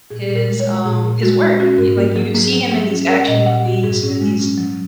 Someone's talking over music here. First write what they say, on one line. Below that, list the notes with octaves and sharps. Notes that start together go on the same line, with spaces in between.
his, um, his work, y like you see him in these action movies and these
A#2 G#4
A#2
A#4
G#3
C#5
G#3
A#2 G#4
A#2
G#3 F#4
G#3
C#4 F#4
G#2 A#4
A#3 A#4
F#3 G#4
A#3 G#4
F#3
F#3 G#4
C#4
C#4 A#4
A#2 D#5
A#2 F#5
A#2 F#4
G#2 G#4
C#4
G#3
C#4
F#3